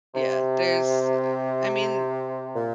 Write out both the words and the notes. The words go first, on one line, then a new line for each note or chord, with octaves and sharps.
Yeah, there's, eh, I mean,
C3
A#2